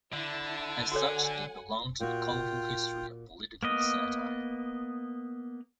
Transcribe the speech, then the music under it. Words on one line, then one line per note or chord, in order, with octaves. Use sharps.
As such they belong to the colorful history of political satire.
D3 E4 A5
F#4 A4 C#5 F#5 G#5
A#2 F4 F#4 G5
A#3 B3 D#5